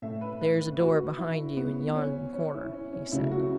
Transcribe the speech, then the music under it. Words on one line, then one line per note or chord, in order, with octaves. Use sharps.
"There's a door behind you in yon corner," he said.
A2 A3 E5
B4
B4
B4
F#4
E4
B3
C#4
C#4
E4
C#4
C#4
C#2 C#3 F#3 A3 E4
F#4